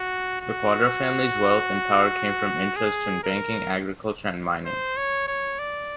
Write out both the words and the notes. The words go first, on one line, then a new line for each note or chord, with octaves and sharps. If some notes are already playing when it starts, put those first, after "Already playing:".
The Cuadra family's wealth and power came from interests in banking, agriculture, and mining.
Already playing: F#4
F#4
G#4
A#4
C5
C#5
C#5
D5